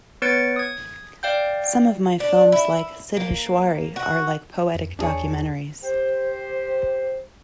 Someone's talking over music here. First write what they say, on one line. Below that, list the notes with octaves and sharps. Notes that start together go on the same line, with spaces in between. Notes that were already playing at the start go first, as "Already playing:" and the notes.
Some of my films like "Siddheshwari" are like poetic documentaries.
B3 B4 C#5 A6 C#7 D7
D#6 G#6
D5 F5 G5 G6
D4
E4
A#3
F#4
F2
E2 D4 G#4 C#5
G4 C5